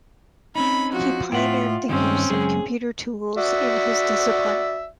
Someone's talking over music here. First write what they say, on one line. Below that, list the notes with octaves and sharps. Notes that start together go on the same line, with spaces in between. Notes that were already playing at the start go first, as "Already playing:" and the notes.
He pioneered the use of computer tools in his discipline.
C4 C#4 D#4 B5
F3 F#4
A2 F4 E5 F#5 G5
G2 D#3 C4 C#4
F#2 C#3 G#3 G#4
F#4 D5 E5